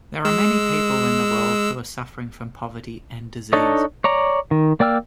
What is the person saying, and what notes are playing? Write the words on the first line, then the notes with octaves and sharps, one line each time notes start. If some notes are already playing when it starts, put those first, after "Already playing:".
There are many people in the world who are suffering from poverty and disease.
G#3 E6
D4 D#4 A4 C#5 D#5
C#5 D5 A#5
D#3
A#3 D5 G5 E6 F6